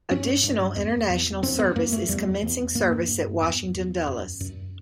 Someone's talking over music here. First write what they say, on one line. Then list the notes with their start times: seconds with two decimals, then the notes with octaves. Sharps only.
Additional international service is commencing service at Washington Dulles.
0.10 G2 C#4
0.44 G2
0.76 E2
1.10 E2
1.43 F#2 C4
1.59 B3
1.76 F#2 A#3
1.92 A3
2.09 E2 G3
2.43 E2
2.75 G2 A#3
3.08 G2
3.41 E2
3.74 E2
4.07 F#2
4.40 F#2